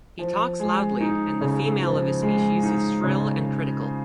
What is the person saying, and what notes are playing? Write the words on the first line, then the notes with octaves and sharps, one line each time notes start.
He talks loudly, and the female of his species is shrill and critical.
F3
G#3
D#4
C#3
F3
G#3
D#4
C#3